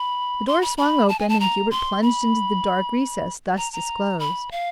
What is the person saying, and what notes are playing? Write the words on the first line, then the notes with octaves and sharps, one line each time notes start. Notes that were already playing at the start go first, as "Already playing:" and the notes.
The door swung open, and Hubert plunged into the dark recess thus disclosed.
Already playing: B5
C6
B5
B5
A5
G#5
A5
A#5
C6
B5
A#5
A#5
B5
F5